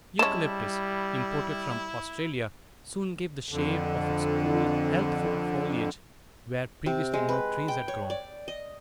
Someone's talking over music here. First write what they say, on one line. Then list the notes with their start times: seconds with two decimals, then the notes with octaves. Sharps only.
Eucalyptus, imported from Australia, soon gave the shade of its cool, healthful foliage where previously no trees had grown.
0.19 G3 G#3 C#4 E4 A5
3.49 F2 D3
6.86 C3
7.14 G#3
7.29 B4
7.68 G5
7.88 C#5
8.10 D5
8.48 D#5